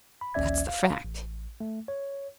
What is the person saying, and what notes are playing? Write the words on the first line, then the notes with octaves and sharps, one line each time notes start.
That's the fact.
B5
A#1 D#2 C#4 D5 E5 G#6
F5
A1
A3
C#5